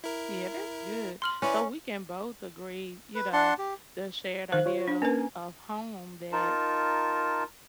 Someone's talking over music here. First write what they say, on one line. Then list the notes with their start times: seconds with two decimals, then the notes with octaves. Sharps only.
Yeah, that's good. So we can both agree, you know, the shared idea of of home that,
0.04 E4 A#4
1.22 C6 F6 F#7
1.42 C#4 E4 B4 D5
3.15 B4
3.33 D4 F#5 A5 C6
3.59 G4
4.52 D#3 C5 F5 F#6
4.66 F4 C#5
4.88 D4
5.02 A#3 C#4 A#4 B4 G#5
6.32 D#4 F4 A#4 A5